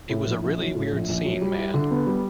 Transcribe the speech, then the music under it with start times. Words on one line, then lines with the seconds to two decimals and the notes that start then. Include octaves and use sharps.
It was a really weird scene, man.
0.10 A2
0.27 A#1
0.43 A#1
0.59 F#3
0.75 A2
0.92 A#1
1.09 A#1
1.25 F#3
1.42 G3
1.58 E4
1.74 D3
1.91 B3
2.07 G3